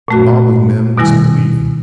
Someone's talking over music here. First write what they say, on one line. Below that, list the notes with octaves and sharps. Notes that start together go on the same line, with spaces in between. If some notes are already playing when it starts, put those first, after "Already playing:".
The mob of men was bleeding.
A#2 A3 F#4
B2 D#3 G3 E4 G#5